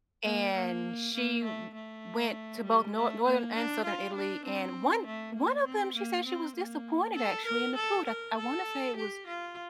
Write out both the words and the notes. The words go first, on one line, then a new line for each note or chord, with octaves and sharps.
And she w went to both Nor Northern and Southern Italy, and one one of them, she said she was disappointed actually in the food I I wanna say it was
A#3
A#3
A#3
A3
A3
G3
A3
A#3
D4
F4
D4
C4
A3
A#3
C4
A#3
C4
A#3
A4
A#4
A4
A#4
A4
G4
F4